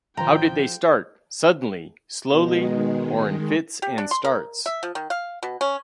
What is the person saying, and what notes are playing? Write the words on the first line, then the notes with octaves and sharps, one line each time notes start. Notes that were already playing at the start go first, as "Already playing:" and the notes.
How did they start, suddenly, slowly or in fits and starts?
A1 D#3 F3 C5 G5 A#5
B2 D#3 G#3
G4
D4
C6
A#4
E5
F3
D#3
F5
B2
C#4